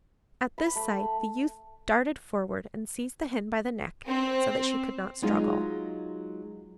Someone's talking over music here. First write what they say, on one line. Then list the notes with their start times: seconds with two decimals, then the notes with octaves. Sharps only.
At this sight the youth darted forward and seized the hen by the neck so that she could not struggle.
0.58 B5
0.76 A3
4.08 C4
5.22 F#3 G#3 D#4 F4